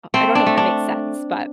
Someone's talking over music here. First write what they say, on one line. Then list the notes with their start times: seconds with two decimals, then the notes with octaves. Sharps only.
uh, I don't know if that makes sense, but
0.14 A3 C4
0.35 D4
0.46 A3
0.57 D4